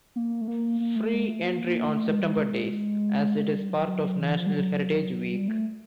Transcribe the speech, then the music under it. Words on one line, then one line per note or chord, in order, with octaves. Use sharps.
Free entry on September days as it is part of National Heritage Week.
A#3
A3
A#3
A#3
A3
G#3
A3
A#3
A#3
A3
G#3
G3
G#3
G#3
G3
F#3
F#3
F#3
E3
F3
G3
F#3
G3
A3